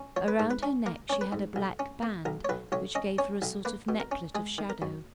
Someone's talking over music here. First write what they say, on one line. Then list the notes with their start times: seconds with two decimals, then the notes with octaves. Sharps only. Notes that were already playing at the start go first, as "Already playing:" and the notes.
Around her neck she had a black band, which gave her a sort of necklet of shadow.
Already playing: C#4
0.16 F3 C#5
0.28 B4
0.39 G#2 A#4
0.51 B4
0.63 C#4
0.86 A#3 A#4
1.10 C#4 C#5
1.21 B4
1.32 G#2
1.56 B1
1.79 C#4
2.03 A#3
2.25 B1 A#4
2.45 C#5
2.49 B1 B4
2.72 B1 C#5
2.95 C#4 D#5
3.18 C#4 C#5
3.42 B1
3.65 A#3 B4
3.89 B2
4.00 A#4
4.11 C#4
4.35 G#3 G#4
4.58 D#3
4.70 A#4
4.82 F#2